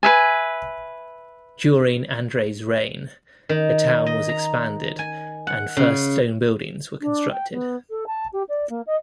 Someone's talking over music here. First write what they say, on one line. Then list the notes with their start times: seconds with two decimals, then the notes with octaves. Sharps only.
During Andrey's reign, the town was expanded and first stone buildings were constructed.
0.03 B4 E5 G#5
3.49 D#3
4.06 D#5
4.29 A#5
4.99 G#5
5.47 F#5
5.77 C#3
7.01 D4
7.31 G5
7.52 B3
7.90 A4
8.06 A5
8.32 G4
8.49 D5
8.69 A#3
8.86 D#5